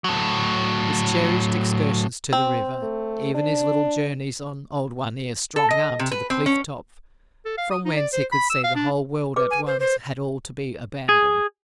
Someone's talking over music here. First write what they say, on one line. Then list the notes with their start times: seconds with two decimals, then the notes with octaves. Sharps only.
His cherished excursions to the river, even his little journeys on old One-Ear's strong arm to the cliff top, from whence he could see the whole world at once, had all to be abandoned.
0.04 A2 F#3
2.33 C4
2.83 A3
3.35 D4
5.56 A4
5.71 D#5
5.99 C3
6.11 B4
6.30 C4
6.46 C#4
7.45 A4
7.58 F5
7.71 D#6
7.85 D#4
7.97 D5
8.13 C5
8.32 B5
8.50 E6
8.64 F5
8.75 D4
9.36 G#4 B4 D6
9.51 G#5
9.66 C5
9.80 C5
11.09 G#4